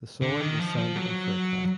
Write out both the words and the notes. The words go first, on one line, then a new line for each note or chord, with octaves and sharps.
The soil was sandy and fertile.
D3
D#3
F3
F3
F#3